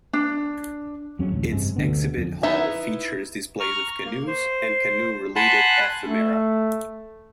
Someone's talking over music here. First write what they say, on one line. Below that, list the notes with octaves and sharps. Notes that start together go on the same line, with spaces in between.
Its Exhibit Hall features displays of canoes and canoe related ephemera.
D4
F2 F#3 G#3 C#4
A1 D2
F1 G2 C3 G#3
D2 D3 B3
F2 F3
B3 D#4 E4 E5
A#5 C#6 F6
A#3
C5
F#5 G#5 A5 B5 C6 F#6
A3